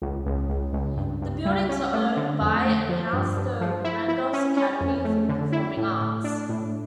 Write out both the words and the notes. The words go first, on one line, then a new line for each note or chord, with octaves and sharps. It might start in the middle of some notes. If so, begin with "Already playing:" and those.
The buildings are owned by and house the Randolph Academy for the Performing Arts.
C#2
C#2
C#2
C#2
G2
G2
G3
C#4
A3
D3
F2
A3
F3
G2
G2
F3
E4
E4
C#4
C#4
F2
A3
D3
E4
A2
A2
D4
A2